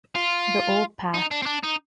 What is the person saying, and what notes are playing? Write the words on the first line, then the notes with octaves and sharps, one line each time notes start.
The old path.
F4
D#4
D4
C4
D4
D#4